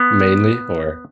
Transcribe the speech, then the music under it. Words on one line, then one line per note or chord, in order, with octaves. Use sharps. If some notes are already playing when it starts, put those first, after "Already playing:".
mainly or
Already playing: B3